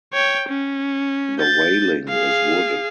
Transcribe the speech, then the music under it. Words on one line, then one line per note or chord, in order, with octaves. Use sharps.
The railing is wooden.
C#5 G5
C#4
G6 A6
G#4 F5